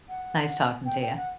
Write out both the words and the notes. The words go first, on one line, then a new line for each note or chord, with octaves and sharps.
it's nice talking to you
F#5
G5
G5
F#5